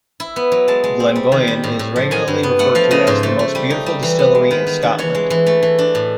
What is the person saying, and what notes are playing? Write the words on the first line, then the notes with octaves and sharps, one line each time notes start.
Glengoyne is regularly referred to as the "most beautiful distillery in Scotland".
E4
B3
F#3
G#3 A5
G#3
C4
G3
D#3
G3
A2
A2
F3
F#3 G#5
G2
B3
A3 F#5
F3 F5
C#3 D#5
G#2 C5
A3
A3
G3
D#4
G3
E3
B3
G#3
D#3 B4
D#3
D4
E3 C#5
G#3
E3
A3
E3
D4
A2